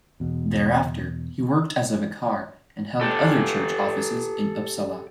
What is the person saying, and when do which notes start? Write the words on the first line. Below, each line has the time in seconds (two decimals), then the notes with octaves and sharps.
Thereafter he worked as a vicar and held other church offices in Uppsala.
0.20 E2 B2
3.01 G4 A4